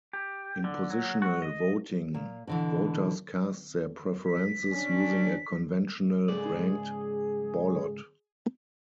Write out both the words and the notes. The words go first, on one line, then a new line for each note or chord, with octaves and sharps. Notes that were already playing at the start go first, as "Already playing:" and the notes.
In positional voting, voters cast their preferences using a conventional ranked ballot.
G4
D3
F#3
F#4
D#5
A#2
B2 D3 E3
B6
C#4 D4
C#2 G#2 G#4 D5